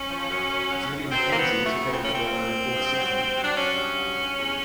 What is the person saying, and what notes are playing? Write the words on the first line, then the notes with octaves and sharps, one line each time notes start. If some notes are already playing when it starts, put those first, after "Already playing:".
Julia McKenzie took over the role in the fourth season.
Already playing: C#4
F3
F#2
F#2
F#3
F#2
F#3 C4
F#2 A#3
B3
F#3
A3
C#3
A#2 C4
C#4
A#2 C4
A#2
A#2
G2
F#3
G2
F#3
D4
F#3 C#4
G2
F#3
G2
E2